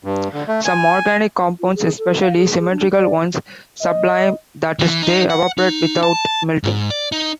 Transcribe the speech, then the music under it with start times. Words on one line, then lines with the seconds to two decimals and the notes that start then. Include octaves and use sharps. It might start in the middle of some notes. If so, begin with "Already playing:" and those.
Some organic compounds, especially symmetrical ones, sublime, that is they evaporate without melting.
0.04 G2
0.33 D3
0.48 A3
0.65 G#5
1.60 F4
1.75 G#4
1.98 A4
2.21 F5
2.36 G#4
2.59 G#4
2.71 D4
2.92 D5
3.81 D#5
4.79 E3
5.02 D#4
5.30 F#5
5.58 D#4
6.03 A5
6.64 G#2
6.90 D5
7.12 D#4